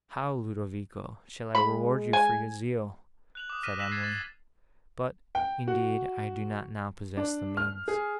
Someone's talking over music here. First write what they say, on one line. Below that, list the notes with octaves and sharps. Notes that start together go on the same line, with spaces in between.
'How, Ludovico, shall I reward you for your zeal?' said Emily: 'but, indeed, I do not now possess the means.
G#3 B5
G#5
F#6 F7 F#7
D6 D#6
F6 A#6 B6 D#7 E7
E6 F#6 A#6 B6 E7 F7
G#6 A6 C7
A6
G5
F#4
D4
F6
G#4